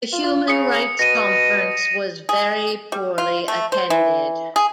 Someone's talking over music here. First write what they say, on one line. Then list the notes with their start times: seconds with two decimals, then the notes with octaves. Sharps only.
The Human Rights Conference was very poorly attended.
0.13 F4
0.24 F4
0.48 C#3 D#6 C#7
0.99 B2 A#6 D#7
2.29 G#4
2.92 G3
3.18 F4
3.48 A3
3.72 C5
3.90 E3
4.56 G#4